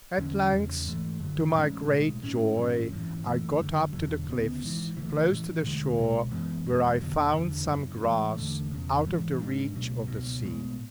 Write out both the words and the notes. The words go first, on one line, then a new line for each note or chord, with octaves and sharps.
At length, to my great joy, I got up to the cliffs close to the shore, where I found some grass, out of the reach of the sea.
E2 D3 F#3 C#4
F#1 E2 C#3 F#3
G#2 E3 A3
F#2 D3 F#3
A1 A2 G#3 C#4
B1 A2 G#3
G#1 G#2 G#3 C#4
A1 G#2 F#3 C#4
G#1 F#2 E3
F#2 E3 A3
F#1 F#2 D3
E1 E2 D3 F#3
D2 C#3 E3 B3
G#1 G#2 E3
D2 C#3 E3 A3
A1 A2 E3
E1 D2 D3 G#3
C#2 B2 G#3
F#2 E3 G#3 B3
F#1 E2 C#3 G#3
E1 E2 D3 F#3
F#1 E2 D3
F#1 F#2 C#3
A1 A2 E3 G#3
E2 D3 A3
E1 E2 C#3
G#2 E3 G#3
G#1 G#2 G#3 D4
C#2 B2 F#3 A3
C#2 B2 F#3
B1 A2 G#3 B3